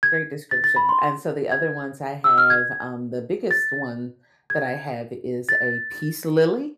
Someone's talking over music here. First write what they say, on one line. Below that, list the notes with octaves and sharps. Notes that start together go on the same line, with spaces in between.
Great description. And so the other ones I have, um, the biggest one that I have is a peace lily,
G#6
A6
A6
B5
C6
G#6
E6
F6
G#6
A6
G#6
A6